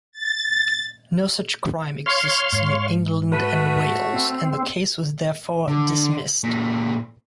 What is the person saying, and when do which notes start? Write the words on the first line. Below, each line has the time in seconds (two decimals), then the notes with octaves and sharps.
No such crime exists in England and Wales and the case was therefore dismissed.
0.12 A6
2.06 C#5 F5 C6
2.53 G#2
3.32 A3 F#4 B4
4.13 C4
5.68 D3
6.44 A#2 E3